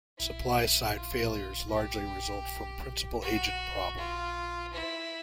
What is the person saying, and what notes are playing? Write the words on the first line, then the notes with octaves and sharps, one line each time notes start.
Supply-side failures largely result from principal-agent problem.
E4
F4
G4
F#4
F4
E4